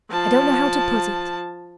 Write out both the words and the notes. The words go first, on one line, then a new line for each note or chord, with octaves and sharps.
I don't know how to put it.
F3 A5